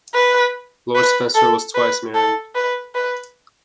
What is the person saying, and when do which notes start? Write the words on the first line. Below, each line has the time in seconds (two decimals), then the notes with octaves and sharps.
Lord Spencer was twice married.
0.14 B4
0.95 B4
1.35 A4
1.75 B4
2.14 A4
2.55 B4
2.95 B4